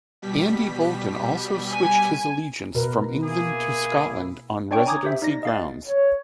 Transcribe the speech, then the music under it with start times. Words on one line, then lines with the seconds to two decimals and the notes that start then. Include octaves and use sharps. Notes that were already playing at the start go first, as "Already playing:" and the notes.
Andy Boulton also switched his allegiance from England to Scotland on residency grounds.
0.22 B2 G3 B6
1.71 G#5
2.75 B2 A#4 B4
3.23 A#3 E4 G#4
4.71 D4 C#5 D5 G5 C#6 D7
4.86 G#5 A#5 D6 D#6 G#6
5.03 G4 C5 E5
5.22 D#4 D5 A#6
5.43 D#5 F5 A6
5.86 C#5